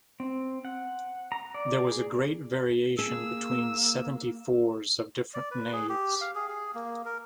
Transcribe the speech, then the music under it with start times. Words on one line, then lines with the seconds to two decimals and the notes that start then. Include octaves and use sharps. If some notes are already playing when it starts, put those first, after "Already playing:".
There was great variation between seventy-fours of different navies.
0.20 C4
0.65 F#5
1.32 A#5
1.54 D5
1.87 G#4
2.99 A#3 G#4 E6
5.34 D5
5.51 B4
5.73 G#4
5.89 G4
6.21 F5
6.35 G#4
6.48 G#4
6.75 A#3
7.05 A#4